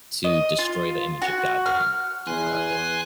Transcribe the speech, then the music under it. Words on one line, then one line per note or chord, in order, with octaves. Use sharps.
to destroy the image of God within you, to corrupt it.
D#5
F4
F#4
F6
E2 G#5 C6 F#6